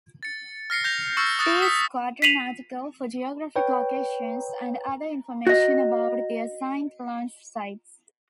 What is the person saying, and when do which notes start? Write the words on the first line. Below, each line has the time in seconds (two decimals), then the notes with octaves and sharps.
See squadron article for geographic locations and other information about the assigned launch sites.
0.23 A6 C#7
0.70 F6 A#6 C7 C#7
0.84 G6 A#6 F7
1.17 C#6 E6 F6 A6 C#7
1.39 D#6 F#6 A6 A#6 C#7
1.62 D#6 B6
2.22 B6 C7 D#7 F7 F#7
3.56 B4 C#5 G5
5.47 F#4 D#5